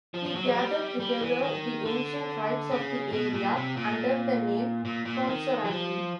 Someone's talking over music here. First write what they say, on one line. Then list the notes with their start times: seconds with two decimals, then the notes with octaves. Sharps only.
He gathered together the ancient tribes of the area under the name Consorani.
0.14 F3
0.26 F3
0.36 F#3
0.45 G#3
0.56 G3
1.00 G3
1.21 E3
1.43 D#3
1.86 D3
2.71 C#3
3.13 B2
3.34 A#2
3.56 C3
3.77 A#2
4.85 A#2
5.05 A#2
5.28 D#3
5.65 F#3
5.71 F3